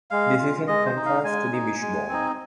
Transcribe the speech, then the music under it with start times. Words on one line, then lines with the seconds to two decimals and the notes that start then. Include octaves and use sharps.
This is in contrast to the wishbone.
0.11 G#3 F5
0.39 F4
0.67 G#3 D#5
0.86 C5
0.96 D#4
1.06 F5
1.24 G#3 G#5
1.52 D#4
1.82 G#3
2.09 C4 D#4